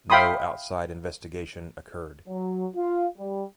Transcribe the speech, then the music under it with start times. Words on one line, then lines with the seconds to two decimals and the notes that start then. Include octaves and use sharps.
No outside investigation occurred.
0.10 E5 F5 G5 B5 C6 D#6
2.28 F#3
2.76 F4
3.18 G3